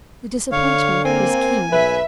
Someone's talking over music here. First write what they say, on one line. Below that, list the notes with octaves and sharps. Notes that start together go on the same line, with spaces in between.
The disappointment was keen.
D3 C#5 F5
A#3 C4 G#5
B1 B4 E5